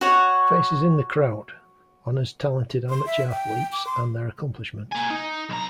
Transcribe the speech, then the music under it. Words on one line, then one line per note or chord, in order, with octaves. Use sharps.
Faces in the Crowd: honors talented amateur athletes and their accomplishments.
F#4 C#5 F#5
C6
E5
G5
D6
C6
A#3 G#5
D#4
B1 A#5